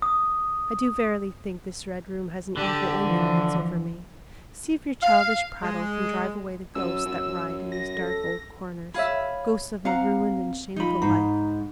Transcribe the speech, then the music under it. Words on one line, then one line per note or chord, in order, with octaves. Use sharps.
I do verily think this Red Room has an evil influence over me. See if your childish prattle can drive away the ghosts that riot in these dark old corners--ghosts of a ruined and shamed life!
D#6
D3 G4
E3 F3
F5
G#3
F#2 E6
F#2
A#6
A4
G#4 C#5 E5 F5 B5
C4 F5 F#5 A#5
F3 D#4 F4 B5
G#2 A#5